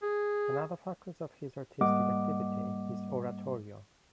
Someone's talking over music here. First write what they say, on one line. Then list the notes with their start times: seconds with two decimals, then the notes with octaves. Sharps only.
Another focus of his artistic activity is oratorio.
0.03 G#4
1.81 G#2 G3 A#3 D#5 F#5 D6